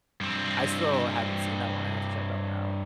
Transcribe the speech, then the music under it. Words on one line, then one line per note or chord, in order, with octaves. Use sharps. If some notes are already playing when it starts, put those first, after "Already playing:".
I still haven't seen that one, I have to check that one out.
G2 C4